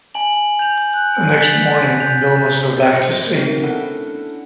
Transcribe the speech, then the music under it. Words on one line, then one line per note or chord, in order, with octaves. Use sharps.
The next morning Bill must go back to sea.
G#5 A5 F#7
G6 F7
F#6
A6 B6
G6 F7
C5 D#5 B5 C#6 A#6 C#7
A3 B3 C4 D#4 A#4
C#4 D4 E4 A4 F#5